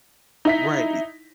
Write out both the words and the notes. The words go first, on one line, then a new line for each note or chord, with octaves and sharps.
Right, y
D#4 E4 B6